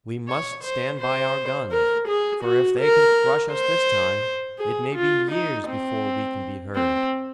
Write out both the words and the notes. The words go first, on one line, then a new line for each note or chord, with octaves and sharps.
"We must stand by our guns, for if they can crush us this time, it may be years before we can be heard."
C#5
C5
C5
A#4
G#4
F#4
A#4
C5
G#4
F4
D#4
C4
C4